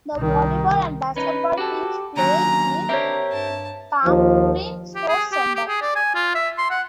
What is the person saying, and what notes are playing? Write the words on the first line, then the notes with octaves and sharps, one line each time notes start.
The volleyball and basketball teams play in Pamplin Sports Center.
C2 D#3
C#4 D#4 B4
F#4 G4 A4
D#2 D3 F#3 C#4 A#5
C4 D4 G4 A#4 C#5 E5
G2 A5
D#2 F3
G4
G#4
G4
G4
G#4
D5
G#5
F4
E5
C6
F#5